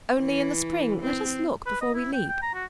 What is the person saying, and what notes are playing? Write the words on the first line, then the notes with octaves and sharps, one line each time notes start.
Only, in the spring, let us look before we leap.
E3
C4
B4
D#5
E4
G5
G5
A#5
F#4